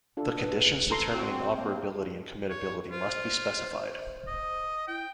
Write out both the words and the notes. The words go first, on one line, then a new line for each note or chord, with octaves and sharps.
The conditions determining operability and committability must be specified.
D4 F4 A4
B4
A4 A#5 C6
C4 F#4
A#3
C#5
F4 C5
D#5
E4 G5